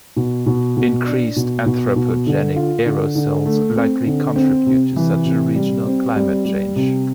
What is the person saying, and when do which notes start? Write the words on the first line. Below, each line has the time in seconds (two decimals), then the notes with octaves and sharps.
Increased anthropogenic aerosols likely contributed to such a regional climate change.
0.16 B2
0.46 B2
0.77 B2
1.06 D4
1.36 B2
1.66 B2
1.96 B2
2.27 D3
2.56 F4
2.86 D3
3.15 D3
3.45 A3
3.76 C4
4.06 D3
4.36 C4
4.66 C3
4.96 E3
5.26 C3
5.56 G3
5.86 C4
6.16 G3
6.45 G3
6.76 C3